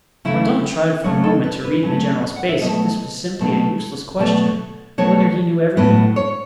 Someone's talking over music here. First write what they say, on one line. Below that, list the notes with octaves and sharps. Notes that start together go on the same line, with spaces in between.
Mordaunt tried for a moment to read in the general's face if this was simply a useless question, or whether he knew everything.
C#3 F#3 A3 E4
C#3 F#3 A3 C#5
A4
B4
B4
C#3 F#3 A3
F#5
E5
B2 F#3 A3 D#5
B2 F#3 A3
B2 F#3 A3
B2 F#3 A3 C#5
A2 F#3 B3 B4
C#5